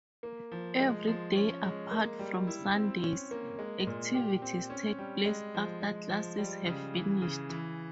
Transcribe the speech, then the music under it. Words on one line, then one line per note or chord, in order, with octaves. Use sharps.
Every day, apart from Sundays, activities take place after classes have finished.
A#3
F3
G#3
F3
C#4
G#3
A#3
G3
E4
C4
C#4
A#3
G#3
A#2
G4
C4
C#4
G3
G#3
F3
G#3
F3
G3
C#3
E3
C#3
E3